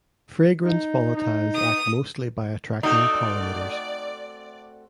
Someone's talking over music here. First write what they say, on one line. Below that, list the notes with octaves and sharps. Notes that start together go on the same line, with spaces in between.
Fragrance volatiles act mostly by attracting pollinators.
D#4
D#4
D#6
A3 C4 D#4 F#4 D5